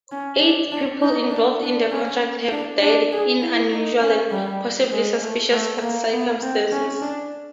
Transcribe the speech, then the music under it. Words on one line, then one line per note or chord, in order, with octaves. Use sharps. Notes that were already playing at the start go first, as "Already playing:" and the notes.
Eight people involved in the contract have died in unusual and possibly suspicious circumstances.
C#4
D4
D4
D#4
D4
D4
C#4
D4
D4
G#4
E4
D#4
C#4
G3
G#3
A3
A3
A#3
B3
C4
C#4
D4